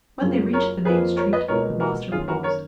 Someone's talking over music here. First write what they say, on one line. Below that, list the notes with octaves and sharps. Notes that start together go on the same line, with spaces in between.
When they reached the main street the master paused.
F#2 C#3 F#3 A#3 F4
A#4 C#5
F2 F3 A#3 F4 G#4 B4
A#4 C#5
B4 D#5
C#2 B2 A#3 F4 A#4 C#5
F#4 A#4
F#2 D#3 A#3 C#4 F4 G#4
F#4 A#4
A#4 C#5